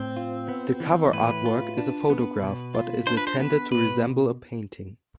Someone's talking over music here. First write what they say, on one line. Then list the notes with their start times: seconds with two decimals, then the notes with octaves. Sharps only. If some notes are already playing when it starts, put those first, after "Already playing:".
The cover artwork is a photograph, but is intended to resemble a painting.
Already playing: A2 C4
0.17 F4
0.48 B3
0.80 E3
1.13 A2 B4
1.46 F4
1.78 D4
2.10 B3
2.42 B2
2.75 F4
3.07 D4 C5
3.17 B4
3.27 C5
3.39 B3 B4
3.72 B2 B4